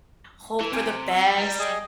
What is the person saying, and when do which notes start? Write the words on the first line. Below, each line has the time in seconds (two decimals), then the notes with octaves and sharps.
hope for the best.
0.61 E3
0.73 C3 G5 G#5
1.09 E6
1.38 G3 A#5
1.59 G#4 D#5 G#5